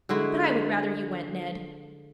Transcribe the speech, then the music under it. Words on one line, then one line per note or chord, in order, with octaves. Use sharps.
But I would rather you went, Ned.
D3 G#3 E4 F#4